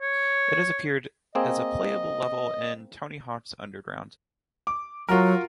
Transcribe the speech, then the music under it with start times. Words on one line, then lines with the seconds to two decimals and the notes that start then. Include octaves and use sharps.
It has appeared as a playable level in "Tony Hawk's Underground".
0.02 C#5
1.35 A#3 C4 G#4 D#5
4.67 D6
5.09 F#3 F4 F#4 A#4